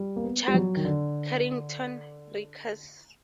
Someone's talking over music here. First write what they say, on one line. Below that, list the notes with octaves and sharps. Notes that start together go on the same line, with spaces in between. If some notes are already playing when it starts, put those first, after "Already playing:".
Chuck Carrington recurs.
Already playing: G3
A#3
B3
G3
F#3
D#3
D3